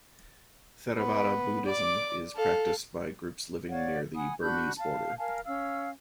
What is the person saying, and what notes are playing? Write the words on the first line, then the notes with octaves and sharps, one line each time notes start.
Theravada Buddhism is practiced by groups living near the Burmese border.
B3 B4
D5 D6
A4 F5
C#5 D5 F5 F#5
F#5 G#5 B5 D#6
D4 F#4 B5 G6
F5 A5
A#4 F5 G#5 A5
C#4 F5 E6